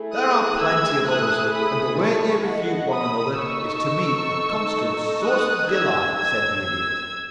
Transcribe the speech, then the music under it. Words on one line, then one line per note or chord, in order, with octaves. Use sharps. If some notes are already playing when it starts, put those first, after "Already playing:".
"There are plenty of others, and the way they refute one another is to me a constant source of delight," said the Idiot.
Already playing: A3 E4 G#4
D#6 F#6
E6 G#6
D#6 F#6
B5 D#6
A5 C#6
D#5 F#5
B5 D#6
D#4 A4 C#6 E6
D#6 F#6
E6 G#6
E6 G#6
E6 G#6